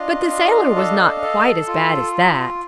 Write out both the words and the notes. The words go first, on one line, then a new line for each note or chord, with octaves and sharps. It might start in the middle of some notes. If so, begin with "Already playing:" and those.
But the sailor was not quite as bad as that.
Already playing: D4 F4 D#5 F5
D4
A4
A4
F4